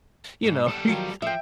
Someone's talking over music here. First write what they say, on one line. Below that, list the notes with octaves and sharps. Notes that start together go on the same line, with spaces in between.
you know, he
G#2
G3 A4
D#3 F3 F#3
F3 E5 G5